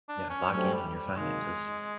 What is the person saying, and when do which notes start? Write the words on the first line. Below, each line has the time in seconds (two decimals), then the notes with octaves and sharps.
Yeah, lock in on your finances.
0.09 D4
0.30 C#4
0.51 F#3 A3 C#4 D4 G4 C5
0.73 G3
0.95 G3
1.16 C3 D#3 F#3 G#3 A#3 D#4